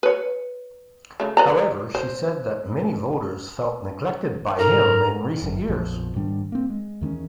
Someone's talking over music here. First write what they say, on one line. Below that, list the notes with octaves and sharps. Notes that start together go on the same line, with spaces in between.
However, she said that many voters felt neglected by him in recent years.
B4 C#5
C#3 A3
B4 D5 A#5
C5
G#2 A4 A#4 A#5
G1 F#2
A#1 F2 B2 F3
G#2 D#3 G3 D4
A#3 C4
G#3
E2 D#3 C4 C#4